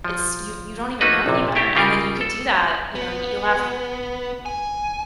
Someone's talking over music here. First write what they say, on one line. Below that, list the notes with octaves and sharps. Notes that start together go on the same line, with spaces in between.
It's you you don't even know any better, and then you could do that you know, you'll have
F3
A3 A#3 D#4 F#4 B4
A#1 C3
A3 E4 G4
C#3 G3 F4 A#4
A4
B3
G#5